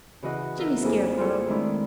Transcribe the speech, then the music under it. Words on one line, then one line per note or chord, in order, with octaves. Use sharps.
"Jimmy Scarecrow!"
C#3 E3 F#4 D#5 F#5
E4 A#4 E5
F2 A#3 E4 G#4 A4
C4 F4 G#4 A4 C#5
D#3 G#3 A3 D4 E4